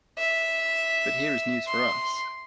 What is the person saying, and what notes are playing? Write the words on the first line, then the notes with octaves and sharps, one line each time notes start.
But here is news for us.
E5
C6